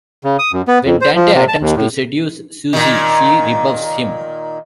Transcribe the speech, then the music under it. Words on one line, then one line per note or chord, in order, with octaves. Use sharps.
When Dante attempts to seduce Suzie, she rebuffs him.
C#3
D#6
F#2
B3
F2
C5
F3
C3
A5
D#2
A2
A#2 D#3